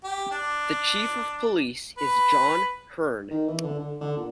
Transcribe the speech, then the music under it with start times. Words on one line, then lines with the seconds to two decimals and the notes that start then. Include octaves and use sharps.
The Chief of Police is John Hearn.
0.04 G4
0.31 D4
1.98 B4
3.31 D#3
3.47 E3
3.63 D3
3.80 D3
4.01 D3
4.17 A#2